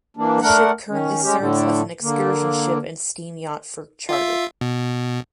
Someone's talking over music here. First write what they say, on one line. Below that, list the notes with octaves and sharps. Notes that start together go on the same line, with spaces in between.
The ship currently serves as an excursion ship and steam yacht for charter.
E3 A#3 D4
A3 D4 A#4 F#5
D#3 C#4
G#3 C#4 G4
A2 D3
D3 A#3
F4 E5
B2